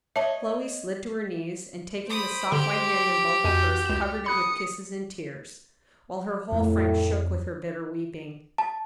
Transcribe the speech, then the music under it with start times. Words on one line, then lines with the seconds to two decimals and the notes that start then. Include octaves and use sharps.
Chloe slid to her knees, and taking the soft white hand in both of hers, covered it with kisses and tears, while her whole frame shook with her bitter weeping.
0.16 C#5 D#5 E5 A5
2.10 C5 B5 D#6 D7
2.52 D3 G4 C6
3.44 F2 F#4 G#5 G6
3.86 C#2 E7
4.26 B5 D#6 F#6 C#7
6.52 F2 A2
8.58 A5